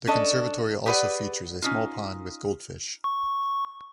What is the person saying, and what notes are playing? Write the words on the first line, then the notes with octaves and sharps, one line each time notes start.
The conservatory also features a small pond with goldfish.
C#4 D4 A4 D#5
G4 G#4 B4 D5 F#5
C#4 D#4 F4
C#6